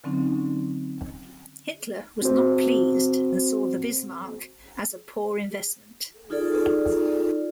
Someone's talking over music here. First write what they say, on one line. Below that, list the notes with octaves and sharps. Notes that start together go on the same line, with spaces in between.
Hitler was not pleased and saw the Bismarck as a poor investment.
D3 F#3 C4 C#4 D#4
C4 F#4 C5
D#4 F4 G#4 A4 D5